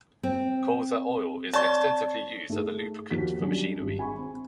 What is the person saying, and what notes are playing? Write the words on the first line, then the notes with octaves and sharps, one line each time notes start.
Colza oil is extensively used as a lubricant for machinery.
C4
C#5 D5 A5 C#6
A3 D#4 G#4 A4
D#2 F3 D#4 F#4 B6
F#3 G3 C#4 D4
G#1 G2
G#4 G#5 B5 C#6
C4